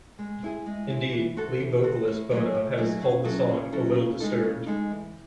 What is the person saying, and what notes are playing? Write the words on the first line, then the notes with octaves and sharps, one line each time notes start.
Indeed, lead vocalist Bono has called the song "a little disturbed".
G#3
C4 E4 G#4
G#3
C4 E4 G#4
E3
C4 F#4 A4
E3
C4 F#4 A4
A2
F#3 A3 D#4 G#4
A2
F#3 A3 D#4 G#4
C#3
F#3 C#4 E4 A4
C#3
F#3 C#4 E4 A4
C#3
G#3 D#4 A4
C#3
G#3 D#4 A4
E3